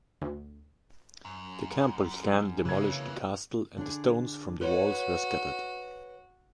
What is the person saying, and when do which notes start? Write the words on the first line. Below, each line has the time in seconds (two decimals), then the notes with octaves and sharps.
The Campbell clan demolished the castle, and the stones from the walls were scattered.
0.22 D2
1.25 F#2
2.65 C#3 E3 A#3 G#6
3.77 D3 D4 G#4
4.61 F#4 B4 C#5